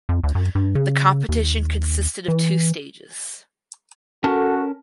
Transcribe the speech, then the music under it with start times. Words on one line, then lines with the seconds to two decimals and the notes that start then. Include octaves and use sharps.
The competition consisted of two stages.
0.09 F2
0.23 D2
0.35 F#2
0.55 G2
0.75 C#3
1.29 D#2
2.28 E3
4.24 C#4 F#4 A4 A#4 A5